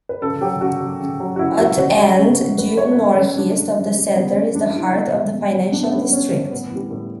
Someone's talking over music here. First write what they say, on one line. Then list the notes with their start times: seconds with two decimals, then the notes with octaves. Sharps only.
At and due northeast of the centre is the heart of the Financial District.
0.09 B4
0.22 C#3 A4
0.41 F#3 G4
0.61 C#3 F#4
0.81 F#3
1.00 C#3
1.20 F#3
1.36 F#4
1.39 C#3 E4
1.60 F#3 F#4
1.79 C#3 F#4
1.98 G3
2.18 C#3
2.38 G3
2.58 C#3 B4
2.77 G3 C#5
2.92 B4
2.97 C#3 A4
3.16 G3 C#4
3.36 C#3 D4
3.56 G3
3.76 C#3
3.95 G3
4.15 C#3 B3
4.35 G3 C#4
4.54 C#3 D4
4.68 D4
4.74 G3 E4
4.94 B2
5.13 G3
5.34 B2
5.52 G3
5.72 B2 D4
5.83 B3
5.93 G3 C#4
6.02 B3
6.13 B2 C#4
6.31 G3 C#4
6.51 A2 B3
6.71 E3 G3
6.91 A2